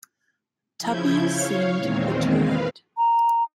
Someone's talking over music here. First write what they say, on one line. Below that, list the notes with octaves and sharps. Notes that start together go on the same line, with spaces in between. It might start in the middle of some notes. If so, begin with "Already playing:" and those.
Tuppy seemed perturbed.
C#3 F3 E4 G6 G#6
C#5 F5
E2 A#2 D#3 G#3 C4
B4 F5
A#5